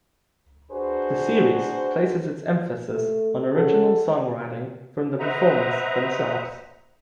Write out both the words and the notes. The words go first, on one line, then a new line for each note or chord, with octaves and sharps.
The series places its emphasis on original songwriting from the performers themselves.
D4 F#4 G#4 B4 C5
A3
C#3 E4 F#4 A4
B4 C5 D#5 E5 F#5 A#5